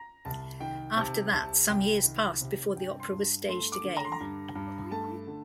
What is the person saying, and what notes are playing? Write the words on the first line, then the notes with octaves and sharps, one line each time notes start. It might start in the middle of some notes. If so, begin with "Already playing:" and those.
After that some years passed before the opera was staged again.
Already playing: A#5
C2 A5
D#3 G5
C3 A5
C2 A5
C2 G5
D#3
C3
G2 G5
C6
G2
A3 C6
D6
D3
A#5
C6
A#5
G2
G2
A3 A5
D3